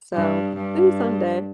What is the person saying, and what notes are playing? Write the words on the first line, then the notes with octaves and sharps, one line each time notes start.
So, maybe someday.
G2
G2